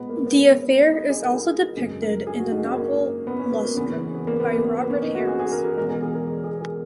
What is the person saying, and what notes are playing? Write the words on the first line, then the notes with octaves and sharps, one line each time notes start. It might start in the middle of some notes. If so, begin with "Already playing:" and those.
The affair is also depicted in the novel "Lustrum" by Robert Harris.
Already playing: A#2 G#3 B3
A#3
B3
D#4
G#4
A#4
G#4
F#2 C#3 G#3 G#4
A#4
G#4
F#4
D#4
C#4
A#3
B3
C#4
B3
A#3
E2 C#3 E3 B3
C#4
B3
A#3
B3
A#3
B3
A#3
C#4
D#4
F#4
G#4
G#4
A#4
G#4
E2 B2 G#3 A#4
G#4
G#4
A#4
G#4
G#4